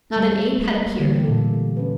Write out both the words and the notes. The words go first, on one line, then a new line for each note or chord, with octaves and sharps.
Not an ape had appeared.
G3 A3
A#3
D3 E3 G3 A#3 G4
A#2 A4
C#4 B4